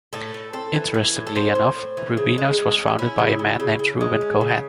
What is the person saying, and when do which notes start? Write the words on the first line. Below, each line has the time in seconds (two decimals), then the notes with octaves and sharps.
Interestingly enough, Rubino's was founded by a man named Rubin Cohen.
0.13 A2 A4
0.34 A2
0.53 C4 A4
0.74 E3
0.94 E3
1.16 A2
1.27 A4
1.35 C4 C5
1.55 A2
1.76 A2
1.97 E3
2.17 C#3
2.38 G#3
2.58 G#3
2.78 C#4
2.99 C#4 E4
3.18 C#3
3.39 C#3
3.60 C#3
3.79 C#3
4.01 G#3
4.21 C#4
4.41 C#3